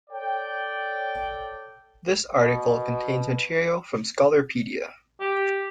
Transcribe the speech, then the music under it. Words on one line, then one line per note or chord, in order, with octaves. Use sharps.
This article contains material from Scholarpedia.
A4 C#5 D5 G5
B2
G4